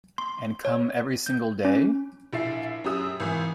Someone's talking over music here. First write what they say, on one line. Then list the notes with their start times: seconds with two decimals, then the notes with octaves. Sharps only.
And come every single day?
0.18 C6
0.65 C#5
1.26 G6
1.65 C#4
2.33 A#1 E4 A6 C7
2.84 F#2 G4 D#6 E6
3.20 G#1 E3